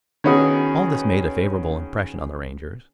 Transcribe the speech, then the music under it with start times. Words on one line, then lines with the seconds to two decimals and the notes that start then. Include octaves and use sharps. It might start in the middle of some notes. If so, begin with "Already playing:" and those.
All this made a favorable impression on the Rangers.
0.24 D#3 B3 C#4 F#4 G#4